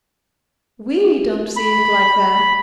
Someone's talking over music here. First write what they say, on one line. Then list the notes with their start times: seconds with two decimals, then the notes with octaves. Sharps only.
We don't see it like that.
1.56 B5